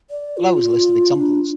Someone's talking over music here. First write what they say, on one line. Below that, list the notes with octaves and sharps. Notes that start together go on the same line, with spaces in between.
Below is a list of examples.
D5
F4
D4